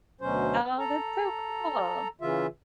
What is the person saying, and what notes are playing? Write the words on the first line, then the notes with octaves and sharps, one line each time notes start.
Oh, that's so cool.
D2 B2 F#3 C#4 C5
A4 A#5
C#3 E3 F4 E5